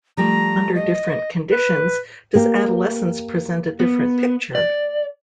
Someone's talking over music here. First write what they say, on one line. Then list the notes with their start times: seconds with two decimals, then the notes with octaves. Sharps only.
Under different conditions does adolescence present a different picture?
0.17 F3 G3 A3 A#5
0.75 D#5
1.51 B4
2.35 A#3 G4
3.80 B3
4.55 D5